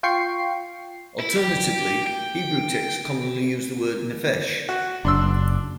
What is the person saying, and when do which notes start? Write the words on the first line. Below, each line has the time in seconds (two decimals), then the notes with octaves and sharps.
Alternatively, Hebrew texts commonly use the word "nephesh".
0.03 F4 G5 C#6 C7
1.20 E4
1.38 G4
2.07 G5
4.69 F#4
5.05 F#1 D4 C6 E6